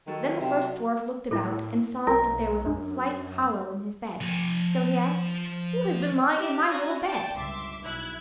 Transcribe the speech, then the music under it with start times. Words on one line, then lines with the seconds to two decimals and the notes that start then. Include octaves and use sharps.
Then the first dwarf looked about, and saw that there was a slight hollow in his bed, so he asked, "Who has been lying in my little bed?"
0.07 D#3 F#3 F#4 A4
0.41 C3
1.31 A2 E4 A4
2.07 B1 A#4
2.66 F#2 D4
4.21 F3 G#5
6.36 G4
6.68 C#4 D4 F#4 D5 G#5 A#5
7.02 D5 G5 A5
7.33 G1 C#2 E5 C6 D6
7.83 B1 E4 F#6 G#6